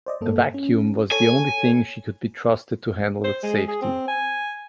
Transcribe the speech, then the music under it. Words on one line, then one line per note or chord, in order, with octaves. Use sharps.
A vacuum was the only thing she could be trusted to handle with safety.
C5 D5 D#5
G2 A#3 A4
C#4
A4 C#5 G#5
C5
G#3
G#4
C4
G#5